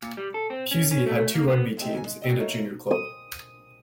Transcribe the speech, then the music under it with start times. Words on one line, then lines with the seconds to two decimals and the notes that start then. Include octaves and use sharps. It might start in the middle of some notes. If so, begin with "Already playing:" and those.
Pewsey has two rugby teams and a junior club.
0.02 A#2
0.17 G3
0.34 A4
0.50 C4
0.71 C#4
0.91 C#4
1.06 A3
1.35 A#3
1.48 B3
1.77 G#3 A3 C4 D#4 G4
1.94 D#2 G#2 G#5
2.06 G#3
2.22 D3 C4 D#5
2.40 A3 A#3 C#5
2.91 D#6